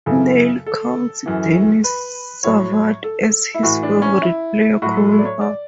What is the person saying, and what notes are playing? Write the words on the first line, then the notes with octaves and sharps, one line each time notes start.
Neil counts Denis Savard as his favourite player growing up.
F#2 C#3 E3 A4
A4
F#2 E3
B4
A2 F#3 C#5
A4
E4
A2 E3 F#4
D4
C#4
E4
A2 F#3 F#4
A4
A4
D5
C#5
D5